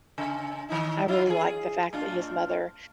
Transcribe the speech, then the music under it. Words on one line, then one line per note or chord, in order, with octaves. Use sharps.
I really liked the fact that his mother
C#3
D#3 D#4 E4
F#3 E4 F4
E3 G#4
A2 D4 F4